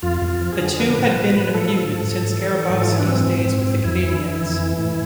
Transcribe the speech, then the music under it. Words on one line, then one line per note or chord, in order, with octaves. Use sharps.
The two had been in a feud since Grabovski's days with the Canadiens.
F2 F4
F2
F4
F3
G#4
D3
F3 B4
A2
C5
A2 B4
A2
F3 A4
F3
G#2
G#2
E3
E3
G#2
F4
E3 E4
D4
G#2 C4
G#2
G#2
G#2
F2 E4
E3
E3
F2
E3
A2